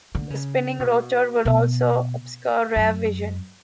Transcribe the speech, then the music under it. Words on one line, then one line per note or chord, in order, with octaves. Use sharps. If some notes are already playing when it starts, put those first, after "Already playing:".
The spinning rotor would also obscure rear vision.
D3
C#3
B2
B2
F#2